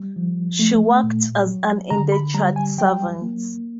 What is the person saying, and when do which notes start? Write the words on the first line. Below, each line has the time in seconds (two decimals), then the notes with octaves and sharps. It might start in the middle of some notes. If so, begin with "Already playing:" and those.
She worked as an indentured servant.
Already playing: G3
0.16 F3
0.59 A3
1.03 A#2
1.47 F#3
1.90 D3 A#5
2.12 B5
2.34 G3 A#5
2.56 G#5
2.78 F#3 G5
3.22 A#3